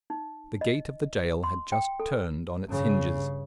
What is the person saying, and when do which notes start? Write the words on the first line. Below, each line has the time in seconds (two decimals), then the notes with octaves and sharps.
The gate of the jail had just turned on its hinges.
0.10 D#4
0.61 D#5
1.43 C6
1.72 G5
2.00 A4
2.67 G2 C#3